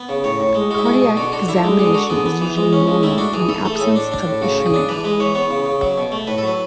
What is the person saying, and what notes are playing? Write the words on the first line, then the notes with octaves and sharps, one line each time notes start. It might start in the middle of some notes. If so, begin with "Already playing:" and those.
Cardiac examination is usually normal in the absence of ischemia.
Already playing: B3
C#3
A2 C#5
A2
G#3
G#3 F#4
E4
B2 F#4
G#4
B2
D3 F#4
D3 F#4
D3 E4
G#3
D3 G#4
D3 F#4
B3 G#4
B3
E3
G#3
C#4
G#3
A3 E4
D4 F#4
E3 G#4
E3 A4
A3 A4
G#4
A2 A4
D4
D4
A2
C#3 F#4
C#3
G#4
D4
E3 B4
G#3 B4
E3 C#5
B3 C#5
C#3
C#3
F#3
B2
A3
A2 B4
A4
F#3 B4